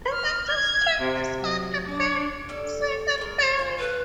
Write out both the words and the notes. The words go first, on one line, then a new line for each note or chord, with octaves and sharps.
The doctor strikes him on the back, sides, and belly.
F6
G#6
C3
F#3
D4
G3 A4 D5
G#3 A#4
F4 G#5
A4 B4 F5